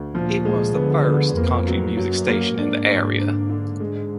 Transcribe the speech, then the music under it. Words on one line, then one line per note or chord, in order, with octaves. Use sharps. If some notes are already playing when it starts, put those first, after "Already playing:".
It was the first country music station in the area.
Already playing: D2
A#2 F3
G#3
D3 B3
B3
F2 A#3
F#3
F#2 F#3
A#3
G#2 D4
D4
D3
D3
G#2 G#3